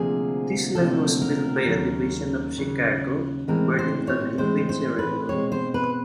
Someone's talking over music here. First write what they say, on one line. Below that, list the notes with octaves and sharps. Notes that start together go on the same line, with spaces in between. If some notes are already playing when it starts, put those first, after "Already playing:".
This line was built by a division of the Chicago, Burlington and Quincy Railroad.
Already playing: D2 C3 F3 A#3 G#4
D2 C3 F3 A#3 A4
A#4
D#2 C#3 F#3
D#2 C#3 F#3
A2 E3 G#3 C4 A#4
C5
C#5
A2 E3 G#3 C4 C5
C5
B4
B2 G#3 C4 C#5
C5
B4